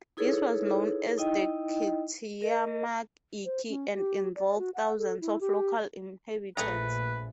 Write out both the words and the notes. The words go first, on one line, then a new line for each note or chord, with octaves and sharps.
This was known as the "Kitayama Ikki" and involved thousands of local inhabitants.
D#4 E4 G#4 A4 B4 C#5
D#4 E4 D#5 G5
A#4 D#5
C5
C#4
G4
D5
F#4
F#5
A4
E4
G4
A#1 A#2 A3 G#4 B4 A#5